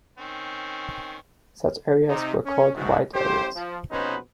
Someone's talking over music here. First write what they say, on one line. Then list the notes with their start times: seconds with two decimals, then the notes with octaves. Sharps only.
Such areas were called 'white areas'.
0.18 D#3 C4 C#4
2.10 C3 D#4
2.46 C#4
2.75 A1 G#2 D#3 A3 F#4
3.14 A1 G4 C5
3.56 F3
3.91 A#1 B2 C#4 D#4 B4 C5